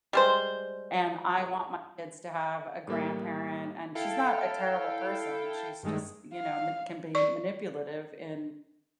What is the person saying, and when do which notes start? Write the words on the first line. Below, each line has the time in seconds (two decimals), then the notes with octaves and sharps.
and I want my kids to have a grandparent, and she's not a terrible person she's just, you know, m can be manipulative in
0.13 G3 G#3 C5
2.88 A2 G3 A#3 E4
3.95 E4 A4 F5 G5
5.83 G2 D#3 G#3 A3
6.34 F5
7.15 D5 C#6